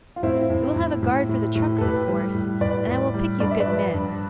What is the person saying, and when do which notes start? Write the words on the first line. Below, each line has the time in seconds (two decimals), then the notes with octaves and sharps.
'You will have a guard for the trucks, of course, and I will pick you good men.
0.16 F4
0.23 A2 C4 E4
0.50 A2
0.76 A2
1.03 A2
1.29 A2
1.55 A2
1.78 A4
1.81 A2 G4 B4
2.08 G3
2.34 A2
2.61 A2 B4 D5
2.87 A2
3.14 G3
3.40 G2 D5
3.51 E5
3.60 B4 D5
3.67 F3
3.94 G2